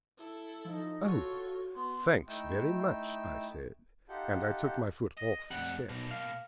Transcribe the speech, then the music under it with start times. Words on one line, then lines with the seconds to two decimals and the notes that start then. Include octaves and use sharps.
"Oh, thanks very much," I said, and I took my foot off the step.
0.18 E4 A4
0.65 F3 D#4
1.04 F4 F#4 A4 C#5
1.76 B3 C6
2.28 A3 D#4 E4 G5 E6
4.09 D#4 F4 G4 A4 F#5 G6
5.17 D#5
5.50 F2 G3 A3 F#5
5.89 B1 B2 A#3
6.11 F5